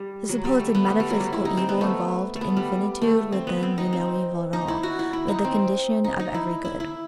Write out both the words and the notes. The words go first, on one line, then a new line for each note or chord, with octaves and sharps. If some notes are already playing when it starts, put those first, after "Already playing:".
The supposed "metaphysical evil" involved in finitude would then be no evil at all, but the condition of every good.
Already playing: G3
F#3
G3
A3
B3
A3
G3
F#3
G3
E4
D#4
C4
B3
A3
A3
B3
G3
A3
C4
B3
C4
D#4
C4
D#4
E4
F#4
E4
E4
D#4
C4
D#4
D#4
E4
E4
E4